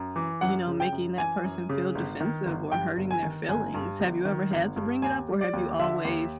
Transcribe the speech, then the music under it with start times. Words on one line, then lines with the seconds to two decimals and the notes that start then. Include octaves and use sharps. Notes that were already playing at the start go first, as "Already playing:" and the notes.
you know, making that person feel defensive or hurting their feelings. Have you ever had to bring it up or have you always
Already playing: F#2
0.16 E3
0.41 F#2 F#5
0.67 C#3
0.80 G5
0.92 F#2
1.18 E3 G#5
1.44 F#2
1.69 C#3
1.95 G1
2.20 D#3
2.46 G1
2.72 G2 G5
2.97 G1
3.11 G#5
3.23 D#3
3.48 G1 G#5
3.74 G2
4.00 G1
4.25 D#3
4.51 G1
4.76 G2
5.02 D#2 G#5
5.28 G3
5.41 D5
5.53 D#2
5.79 D3 E5
6.05 D#2